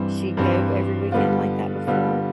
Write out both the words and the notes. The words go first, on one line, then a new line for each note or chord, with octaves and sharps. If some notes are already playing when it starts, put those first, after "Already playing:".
she go every weekend like that before?
Already playing: G2 E3 G3 C4
G2 E3 G3 C4
D3 G3 B3 F4
D3 G3 B3 F4